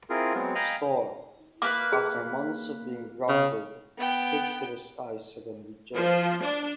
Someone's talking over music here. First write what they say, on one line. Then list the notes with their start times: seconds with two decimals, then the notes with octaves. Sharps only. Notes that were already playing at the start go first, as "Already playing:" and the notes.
Storm, after months of being grounded, takes to the skies again with joy.
0.10 C4 E4 F4 G#4 A#4
0.34 F#3 G#3 B3 C4
0.55 D#5 F5 G5 G#5 A#5 B5
1.62 A#3 B4 D6
1.92 G#4
3.29 C#3
3.98 B3 G5
5.94 F3
6.42 D4